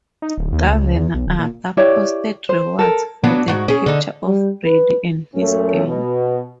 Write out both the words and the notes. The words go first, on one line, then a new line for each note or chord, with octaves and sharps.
Governor Arthur posted rewards for the capture of Brady and his gang.
D#4
D1
D#2
C#2
C#2
E2
B1
D1
A#2
E4 G4 C#5 D5
C5
A4 A#4
F#3 B3 D4
G#2 F#4
C#4 G#4
D3 D#4
G3
B4
F#2 A#2 A3 C#4
B2